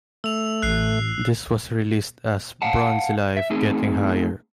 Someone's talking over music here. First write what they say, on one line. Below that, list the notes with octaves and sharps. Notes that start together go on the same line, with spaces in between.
This was released as "Bronz Live - Getting Higher".
A3 E6 F7
A1 F#6 C7
F5 F#5 A5
E5
A3 C4 D#4 G#4